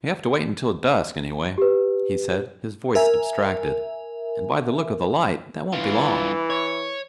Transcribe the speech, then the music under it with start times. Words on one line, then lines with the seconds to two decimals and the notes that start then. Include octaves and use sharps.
"We have to wait until dusk anyway," he said, his voice abstracted, "and by the look of the light that won't be long."
1.58 G4 B4
2.95 A#4 E5 G#5
5.73 G2 E3 F4
6.50 C#5